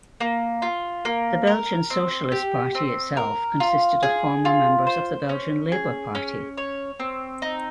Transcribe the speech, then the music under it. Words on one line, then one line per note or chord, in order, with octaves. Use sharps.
The Belgian Socialist Party itself consisted of former members of the Belgian Labour Party.
A#3
F4
A#3
A#4
C4
G4
C4
A#4
F4
G#4
F4
C5
C#4
G#4
C#4
C#5
C4
D#4